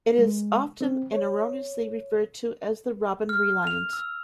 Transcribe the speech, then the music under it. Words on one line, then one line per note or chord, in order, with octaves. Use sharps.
It is also often, and erroneously, referred to as the "Robin Reliant".
G#3
C4
C#5
F6
F7
E6